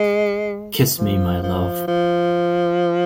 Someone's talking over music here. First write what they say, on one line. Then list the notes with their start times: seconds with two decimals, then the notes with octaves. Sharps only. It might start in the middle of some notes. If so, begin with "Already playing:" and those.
Kiss me, my love.
Already playing: G#3
0.98 F3
1.43 F3
1.88 F3